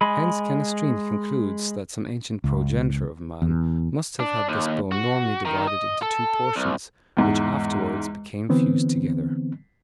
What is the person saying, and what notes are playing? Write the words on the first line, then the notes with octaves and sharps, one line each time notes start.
Hence Canestrini concludes that some ancient progenitor of man must have had this bone normally divided into two portions, which afterwards became fused together.
G#3 G#4 B5
C#2
E2
D4
D#2
F#4
D#3
D#5
A4
C2
E2 G#2
D3 E3 B3 C4